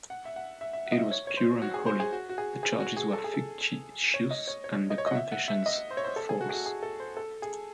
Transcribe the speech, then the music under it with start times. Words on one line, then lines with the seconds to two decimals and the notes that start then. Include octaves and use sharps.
It was pure and holy; the charges were fictitious and the confessions false.
0.10 F#5
0.25 E5
0.36 F#5
0.61 E5
0.73 E5
0.86 F#5
0.92 D#5
0.98 E5
1.11 C#5
1.27 C#5
1.37 C5
1.62 F#4
1.74 G#4
1.86 C5
2.00 G#4
2.12 F#4
2.29 F#4
2.38 G#4
2.63 G#4
2.80 F#4
2.97 G#4
3.13 A4
3.24 G#4
3.34 A4
4.14 C#5
4.31 D#5
4.47 C#5
4.64 C#5
4.90 D#5
4.98 C#5
5.06 D#5
5.11 F#5
5.15 E5
5.32 F#5
5.48 E5
5.66 D#5
5.91 C5
5.97 C#5
6.04 C5
6.16 A4
6.29 G#4
6.41 F#4
6.49 G#4
6.54 F#4
6.66 G#4
6.83 A4
7.00 C5
7.17 A4
7.42 G#4